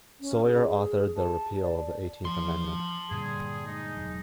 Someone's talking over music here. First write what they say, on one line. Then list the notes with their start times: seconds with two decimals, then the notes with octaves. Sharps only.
Sawyer authored the repeal of the Eighteenth Amendment.
0.21 C#4
0.44 G#4
1.16 A5
1.62 D5
2.25 F3 A5 C6
3.11 G2 A#2 D3 G3 G#4
3.67 G#3 D#4
3.96 E1 F#3